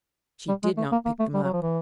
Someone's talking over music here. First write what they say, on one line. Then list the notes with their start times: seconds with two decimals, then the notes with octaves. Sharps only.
She did not pick them up.
0.49 G3
0.63 G#3
0.78 A3
0.92 A#3
1.06 A#3
1.20 A3
1.34 G3
1.44 F#3
1.53 F3
1.63 E3